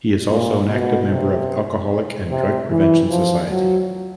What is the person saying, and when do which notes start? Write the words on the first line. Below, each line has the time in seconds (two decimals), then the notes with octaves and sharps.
He is also an active member of Alcoholic and Drug Prevention Society.
0.30 A#2
0.70 B2
1.10 C3
2.30 C3
2.70 E3
3.10 F3
3.50 F#3